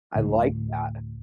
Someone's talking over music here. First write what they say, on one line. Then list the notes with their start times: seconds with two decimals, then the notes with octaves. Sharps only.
I like that.
0.15 D2 A2 A3